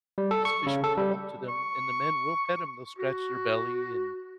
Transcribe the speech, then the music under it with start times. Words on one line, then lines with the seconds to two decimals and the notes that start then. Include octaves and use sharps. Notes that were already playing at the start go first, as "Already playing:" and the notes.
these fish will come up to them and the men will pet them, they'll scratch their belly and
0.18 G3
0.31 A4
0.45 C#6
0.66 C#3
0.84 A4
0.97 G3
1.48 C#6
2.98 F#4